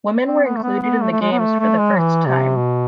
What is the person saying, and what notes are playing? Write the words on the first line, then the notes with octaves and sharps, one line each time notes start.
Women were included in the games for the first time.
C4
B3
A3
B3
B3
A3
A3
G#3
B3
A3
A3
G#3
E3
C3
B2